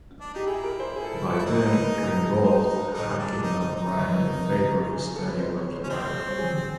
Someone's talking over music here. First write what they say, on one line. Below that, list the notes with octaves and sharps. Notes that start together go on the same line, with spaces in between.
By then Rimbaud had given up writing in favour of a steady, working life.
D4
D#4 G4
E4 G#4
A#4
C5
G#4
A4
A#4
A4
E4
D#4
A#4
B4
A#4
G#4
A#4
A4
A#4
D#4 C5
C5
B4
A#4
D#4 A4
G#4
D4 G#4
A4
D#4 A#4
A4
D#4
C5
D#4
C5
B4
A#4
G#4
G#4
A4
B4
C5
C#5
C5
C#4
C4 C5
C5
C5
C#5
G#4